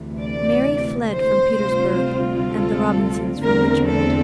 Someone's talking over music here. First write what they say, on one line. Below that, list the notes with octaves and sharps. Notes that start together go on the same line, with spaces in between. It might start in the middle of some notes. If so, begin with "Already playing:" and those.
Mary fled from Petersburg and the Robinsons from Richmond.
Already playing: D2 C3 E3 A3
D5
C5
D2 C3 G3 C4 F4
A4
E2 D3 A3 C4 A#4
A4